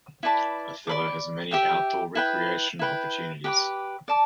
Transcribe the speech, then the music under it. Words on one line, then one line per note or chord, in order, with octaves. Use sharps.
Othello has many outdoor recreation opportunities.
E4 B4 D5 A5
D5 B5 D6
G4 E5 G5
E4 B4 G5
E4 B4 G5
G4 B4 G5 D6
D5 A5 D6